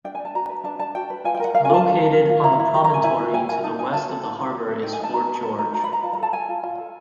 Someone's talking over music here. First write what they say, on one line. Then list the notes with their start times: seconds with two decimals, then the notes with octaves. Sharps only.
Located on the promontory to the west of the harbor is Fort George.
0.04 D4 G5
0.15 G#5
0.20 D4
0.25 A5
0.35 F#4 A#5
0.49 B4
0.64 D4 A5
0.79 D4 A5
0.95 F#4 G5
1.10 B4
1.24 F4 G#5
1.35 G5
1.40 A#4 F#5
1.54 A#4 F5
1.65 G#5
1.70 F4 A5
1.85 F4
1.99 A#4
2.14 A#4
2.30 F4
2.44 E4 A#5
2.59 E4
2.74 G4 A#5
2.84 A#5
2.89 A#4 G#5
3.04 E4 G#5
3.19 E4
3.33 G4 G#5
3.49 A#4 G#5
3.64 D#4 A5
3.79 D#4 G#5
3.94 F#4 A5
4.09 A4
4.24 D#4
4.39 D#4
4.54 F#4
4.68 A4
4.83 D#4 G5
4.93 G#5
4.99 D#4 A5
5.13 F#4 A#5
5.28 B4
5.43 D#4 A5
5.58 D#4 A#5
5.73 F#4 A#5
5.84 B5
5.88 B4 A#5
6.03 F4 A5
6.13 A#5
6.18 A4 A5
6.33 A4 G#5
6.49 F4
6.63 F4
6.78 A4